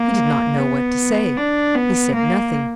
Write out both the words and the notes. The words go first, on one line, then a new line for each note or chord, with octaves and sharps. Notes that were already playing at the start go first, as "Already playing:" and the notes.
He did not know what to say; he said nothing.
Already playing: A#3
B3
D4
B3
A#3